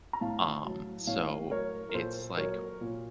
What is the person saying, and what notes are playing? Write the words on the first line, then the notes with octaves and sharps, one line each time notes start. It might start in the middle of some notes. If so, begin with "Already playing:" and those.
Um, so it's like
A#5
A2 F5 A5
F#3
A2 C#5 F5
F#3 A#4 C#5
A#4
A#2 A4 C5
F#3 A#4 C#5
A#2